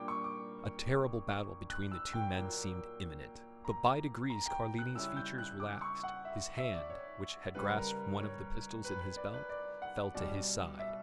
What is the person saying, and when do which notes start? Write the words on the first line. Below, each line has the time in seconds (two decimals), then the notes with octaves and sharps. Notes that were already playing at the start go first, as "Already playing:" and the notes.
A terrible battle between the two men seemed imminent; but by degrees Carlini's features relaxed, his hand, which had grasped one of the pistols in his belt, fell to his side.
Already playing: A#2 G3 A#3 D4 G5 D6
0.08 C#6
0.24 D6
1.70 F#6
1.91 E6
2.13 G5
2.35 A#2 F#3 A#3
3.65 A#5
4.30 A#5
4.46 G5
4.79 F#6
4.95 C#3 G3 C#4 E4 E6
5.16 G6
5.38 F#6
5.60 D6
5.81 C#6
6.03 F#5
6.25 E5
6.57 E5
6.73 D5
6.90 C#5
7.55 C#3 G3 C#4 B4
7.76 A#4
8.20 C#5
8.84 B4
9.01 B4
9.17 D5
9.34 B4
9.49 D5
9.82 F#5
10.15 B2 G3 C#4 D5
10.79 E5